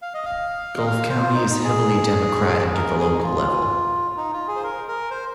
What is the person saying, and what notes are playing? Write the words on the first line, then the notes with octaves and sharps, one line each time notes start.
Gulf County is heavily Democratic at the local level.
F5
D#5
F5
D#5
F5
C5
F4
D#4
D#4
G#4
A#4
G#4
D#4
F4
D#4
F4
G#4
C5
A#4
A#4
C5